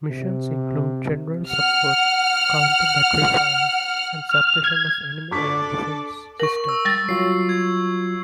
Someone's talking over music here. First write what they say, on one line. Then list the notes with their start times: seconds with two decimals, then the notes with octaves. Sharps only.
Missions include general support, counter-battery fire, and suppression of enemy air defense systems.
0.11 C3
1.49 F#5 F6
4.29 F6
4.64 G#6
5.31 D4 A4 D5 C#6 D6 B6
6.40 A#4 C#6 F#7
6.69 E6
6.85 G3 A6
7.09 F#3 F4 C7
7.49 G#6